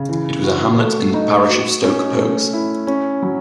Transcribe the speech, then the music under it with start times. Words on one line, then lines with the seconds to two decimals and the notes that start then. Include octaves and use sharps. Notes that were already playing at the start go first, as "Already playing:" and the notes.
It was a hamlet in the parish of Stoke Poges.
Already playing: C#3
0.09 E3
0.44 F#4
0.79 A3
1.14 D#4
1.49 F#4
1.84 C#4
2.18 A3
2.53 E4
2.87 C#4
3.22 F#3